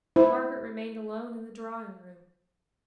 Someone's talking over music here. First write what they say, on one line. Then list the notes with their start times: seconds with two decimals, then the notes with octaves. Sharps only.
Margaret remained alone in the drawing-room.
0.16 E4 C5